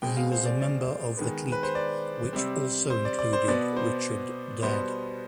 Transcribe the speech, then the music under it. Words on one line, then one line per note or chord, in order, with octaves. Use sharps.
He was a member of The Clique, which also included Richard Dadd.
B2 G#3 C4 G5
F5
C5
D5
D5
D#3 G#3 B3
B4
C5
D5
C3 G3 C4
C5
D5
D5
C5
B2 B3 D5
C5
B2 G3 B3 C5